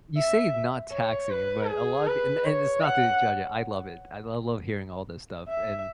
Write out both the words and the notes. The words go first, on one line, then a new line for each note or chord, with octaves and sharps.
You say it not taxing, but a lot the and and it's not to judge it, I love it, I I love hearing all this stuff, and
E5
C#5
B4
G#4
B4
C#5
F#5
E5